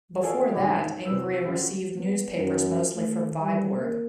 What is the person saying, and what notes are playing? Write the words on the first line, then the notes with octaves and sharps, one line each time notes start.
Before that Ingria received newspapers mostly from Vyborg.
F4 G#4 A4 D5 F5 G#5
C#2 G#2 D3 D#5 B5 D6
G#2
C3 E3 C4 B4 C5 E6
D3 F#3 C#4 D4 G4
B3
F#2
A3
G3
A#3